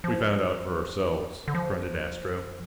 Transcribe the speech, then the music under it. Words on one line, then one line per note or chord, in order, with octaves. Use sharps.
"We found out for ourselves," grunted Astro.
F3
D3
F3